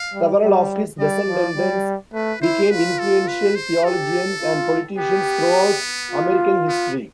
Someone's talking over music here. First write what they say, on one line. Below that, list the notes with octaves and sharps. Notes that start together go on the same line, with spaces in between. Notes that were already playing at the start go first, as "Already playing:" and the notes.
Several of his descendants became influential theologians and politicians throughout American history.
Already playing: F5
G3
G3
G3 D5
F3
G3
A3 B4
E4 C5
F4 B4
A4
B4
C5
G4 A4
F4
B3 G4
F4
B3